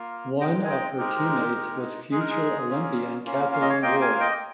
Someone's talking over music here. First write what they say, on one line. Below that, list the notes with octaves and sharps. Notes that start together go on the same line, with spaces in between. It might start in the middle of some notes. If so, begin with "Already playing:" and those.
One of her teammates was future Olympian Catherine Ward.
Already playing: A#3 F4
G#3 C4 D#4 D#5 G5
G#5
D#5 G5
G#3 C4 D#4 G4 A#4
G#3 D#4
G#3 D#4 G#4
A#4
G#4
A#3 C#4 F4
A#3 C#4 F4
F5
D#5
C#5 F5
A#3 F4 D#5 G5
F5 G#5
D#5 G5